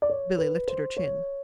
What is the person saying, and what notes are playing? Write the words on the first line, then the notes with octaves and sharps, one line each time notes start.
Billy lifted her chin.
D5
C#5
B4
C5
C#5